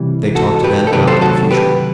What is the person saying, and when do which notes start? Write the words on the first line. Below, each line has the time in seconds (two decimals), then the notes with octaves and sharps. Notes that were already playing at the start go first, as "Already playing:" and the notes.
They talked then about the future.
Already playing: C3 E3 G3
0.35 F#4 A4
0.64 G4 B4
0.87 A4
0.93 C3 D#3 F#3 A3 G4 B4
1.07 A4 C5
1.21 F#4 A4
1.51 G4 B4